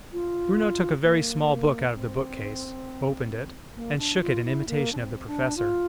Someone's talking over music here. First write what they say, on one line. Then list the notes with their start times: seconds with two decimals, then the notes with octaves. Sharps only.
Bruno took a very small book out of the bookcase, opened it, and shook it in imitation of the Professor.
0.12 F4
1.03 A#3
1.94 C4
3.76 A#3
3.98 D4
4.21 F4
4.44 E4
4.67 A#3
4.92 D4
4.97 C4
5.27 D4
5.57 F4